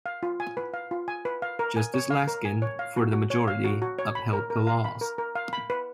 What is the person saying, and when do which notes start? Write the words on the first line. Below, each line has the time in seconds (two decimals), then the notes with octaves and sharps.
Justice Laskin, for the majority, upheld the laws.
0.06 F5
0.23 F4
0.40 G#5
0.57 B4
0.74 F5
0.91 F4
1.08 G#5
1.25 B4
1.42 F5
1.59 A#4
1.77 G#5
1.94 C#5
2.10 F5
2.27 A#4
2.45 G#5
2.62 C#5
2.79 F5
2.96 F#4
3.13 F#4
3.30 C#5
3.48 F5
3.64 F#4
3.82 F#4
3.99 C#5
4.15 B5
4.33 A#4
4.50 A#4
4.67 F5
4.84 B5
5.01 A#4
5.18 A#4
5.35 F5
5.53 B5
5.70 B4